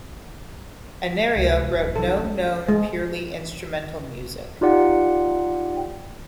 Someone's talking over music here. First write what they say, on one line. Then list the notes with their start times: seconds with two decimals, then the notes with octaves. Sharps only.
Anerio wrote no known purely instrumental music.
1.35 C#2 C3
1.75 D1
1.96 B1 C#3 A4
2.16 C#4 D4
2.68 G#3
4.61 D#4 F4 G4 D5 F#5